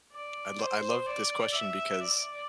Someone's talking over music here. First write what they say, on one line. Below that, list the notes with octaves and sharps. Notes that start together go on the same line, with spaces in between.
I lo I love this question because
D5
C5
D5
E5
D5